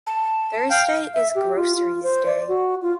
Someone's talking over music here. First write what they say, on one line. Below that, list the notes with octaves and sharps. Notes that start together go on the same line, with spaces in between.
Thursday is groceries day.
A5
F5 G5
E5
G4
F4
F4
C5
D5
F#4
F4